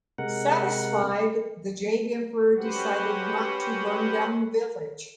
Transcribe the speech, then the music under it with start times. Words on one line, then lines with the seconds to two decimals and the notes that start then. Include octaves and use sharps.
Satisfied, the Jade Emperor decided not to burn down the village.
0.18 C3 G#3 A#4 F#5
2.57 C#4 F#4 G4 B4 C5 F#5